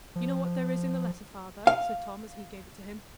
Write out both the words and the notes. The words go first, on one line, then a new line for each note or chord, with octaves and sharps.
"You know what there is in the letter, father?" said Tom, as he gave it to him.
F3
F5